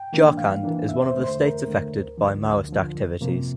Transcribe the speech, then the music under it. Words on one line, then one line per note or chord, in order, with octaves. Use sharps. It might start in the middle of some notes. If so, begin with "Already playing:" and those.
Jharkhand is one of the states affected by Maoist activities.
Already playing: G5
E3 A#3 D4
A2 F5
E3 A#3 D4
E2 E5
C5
D3 A3
C5
E2 A#4
D3 A3
D2
D3 F3
D2
D3 F3
F2
C3 F3 A#3